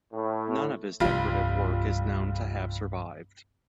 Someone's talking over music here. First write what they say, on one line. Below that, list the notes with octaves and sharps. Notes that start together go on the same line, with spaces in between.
None of his decorative work is known to have survived.
A2
F1 C2 G2 G3 F4